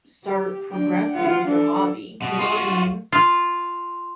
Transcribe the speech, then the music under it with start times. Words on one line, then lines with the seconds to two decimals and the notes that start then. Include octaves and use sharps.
start progressing with your hobby, you know what I mean?
0.25 G4
0.71 D4 G5
1.11 F4 F#5
1.49 D4 A4
2.22 B2
2.39 F4 F#4
3.12 F4